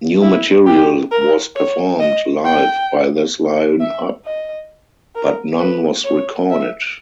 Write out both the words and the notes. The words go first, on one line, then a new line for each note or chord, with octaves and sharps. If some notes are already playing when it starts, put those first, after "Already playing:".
New material was performed live by this line-up, but none was recorded.
E4
G4
A#4
C#5
D#5
G5
E5
D#5
A#4
B4
C#5
E5